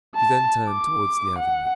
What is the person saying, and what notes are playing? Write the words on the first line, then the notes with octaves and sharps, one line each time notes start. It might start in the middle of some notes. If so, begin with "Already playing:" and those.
She then turned towards the avenue.
A5
D6
F#5